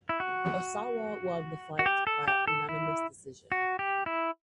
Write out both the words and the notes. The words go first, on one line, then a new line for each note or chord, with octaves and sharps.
Osawa won the fight by unanimous decision.
E4
F#4
F#4
G4
A4
G4
A4
E4
F#4
G4
E4